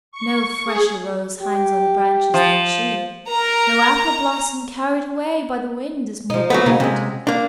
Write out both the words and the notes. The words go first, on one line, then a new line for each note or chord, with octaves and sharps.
No fresher rose hangs on the branches than she; no appleblossom carried away by the wind is more buoyant!
C#6
G#4
G4
F3
A#4 A#5
F3 D#4
F#3 A3 B3
C#3 A#3 D#4
C3 G#3 C#4
A#3 D4